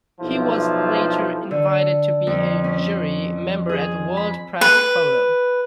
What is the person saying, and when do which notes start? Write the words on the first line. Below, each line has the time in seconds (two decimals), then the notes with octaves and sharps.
He was later invited to be a jury member at World Press Photo.
0.19 B1 F3 E4
1.51 D3
2.27 F2
2.64 C#4
3.69 G#4
4.17 B5
4.61 B4